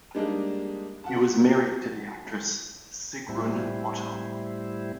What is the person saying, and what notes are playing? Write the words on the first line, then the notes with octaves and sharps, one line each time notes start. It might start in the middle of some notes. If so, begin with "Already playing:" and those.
He was married to the actress Sigrun Otto.
G3 G#3 A#3 D4 D#4 G#4
F#4 F#5 A5
A2 G3 C4 E4